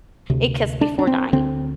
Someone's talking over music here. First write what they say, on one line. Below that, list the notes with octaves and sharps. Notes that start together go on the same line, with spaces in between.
A Kiss Before Dying,
D2 C3
D4
D4
C4
D2 D3 C4